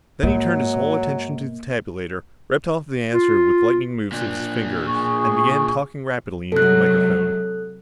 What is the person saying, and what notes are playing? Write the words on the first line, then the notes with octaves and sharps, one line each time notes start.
Then he turned his whole attention to the tabulator, ripped off the answer with lightning moves of his fingers and began talking rapidly into the microphone.
G#2 F#3 A#3
F4
A#2 D4
G#4 C#6
C3 F#3 G#3 A4 F#6